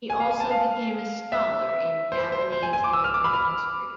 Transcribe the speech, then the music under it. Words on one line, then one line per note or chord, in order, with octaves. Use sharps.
He also became a scholar in Japanese immigrant history.
G#5
F5
G#5
A5
F5
E5
C5
C5
C5
G#5
G#5
D6
E6
F6
D6
B5
F6